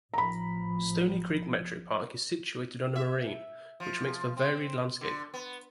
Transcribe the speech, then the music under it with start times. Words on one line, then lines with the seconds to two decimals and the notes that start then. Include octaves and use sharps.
Stony Creek Metropark is situated on a moraine which makes for varied landscape.
0.14 A1 F3 A#5 B5
2.96 E5
3.80 F3
4.37 C4
5.01 D3
5.34 B3